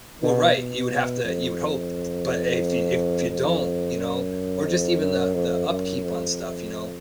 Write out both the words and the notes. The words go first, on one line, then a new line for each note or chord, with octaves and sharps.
Well, right, you would have to you would hope t but if you if you don't, you know, or just even the the upkeep on stuff, you know,
B2
B2
F2
F2
F#2
F2
F#2
F2
F#2
F2